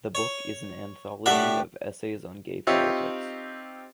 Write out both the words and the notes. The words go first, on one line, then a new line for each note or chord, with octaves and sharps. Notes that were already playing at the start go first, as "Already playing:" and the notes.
The book is an anthology of essays on gay politics.
C#5
A2 D4 G4 E5 F#5
C4 D#4 F4 G4 C#5 E5